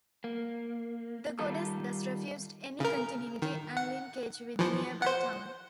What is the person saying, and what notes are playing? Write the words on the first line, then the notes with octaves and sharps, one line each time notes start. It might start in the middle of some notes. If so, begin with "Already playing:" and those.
The goddess thus refused any continuity and linkage with the nearby town.
A#3
D#3 G3 D#4 F4 A4
C#3 A#4
D#3
F#5
E3 F3
C5 F#5